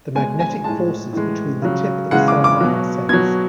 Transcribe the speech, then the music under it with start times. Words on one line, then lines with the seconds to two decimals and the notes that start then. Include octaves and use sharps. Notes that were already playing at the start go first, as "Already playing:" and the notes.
The magnetic forces between the tip and sample are sensed.
0.15 B2 G#3 G#5
0.40 G#5
0.64 A2 G#3 A5
1.13 A2 E3 G#3
1.62 C#3 F#3
2.11 C#3 E3 G#3 F#5
2.28 D6
2.44 D6
2.60 B2 F#3
3.09 B2 F#3 G#6